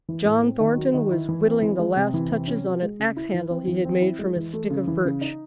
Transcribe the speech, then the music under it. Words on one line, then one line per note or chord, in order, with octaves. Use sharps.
John Thornton was whittling the last touches on an axe-handle he had made from a stick of birch.
E3
A2
C4
D#3
F#3
D#3
E4
E3
C4
E3
G#3
C3
E3
C3
C#4
F#4
G#3
C#3
E4
E3
C4
E3
C4
E4
G#3
E3
A3
C#3
E3
C#3
D#4